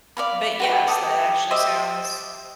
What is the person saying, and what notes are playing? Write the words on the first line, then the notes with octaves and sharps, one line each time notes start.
But, yes, that actually sounds
D5 F5 B5
F#4 B4 G5
G4 A4 D#6
G4 C5 D#5 E5